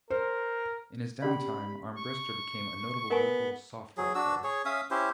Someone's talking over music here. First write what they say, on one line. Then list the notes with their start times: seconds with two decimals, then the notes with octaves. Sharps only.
In his downtime, Armbrister became a notable local softball player.
0.10 A#4 C5
1.22 C#4 G4 D5 B5
1.97 C#6
3.10 B3 A#4 G#5
3.97 F#3 G#4
4.15 D4 F#4 E6
4.44 G#4 C#5
4.65 C#4 E5 F5 D#6
4.91 C#4 E4 G4 C5